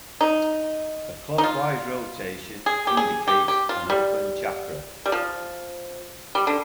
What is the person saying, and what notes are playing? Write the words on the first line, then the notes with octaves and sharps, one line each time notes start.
A clockwise rotation indicates an open chakra.
D#4
D#4
F4
G#4
G4
G#4
G4
G4
F4
G3
G3
F3
G3
D3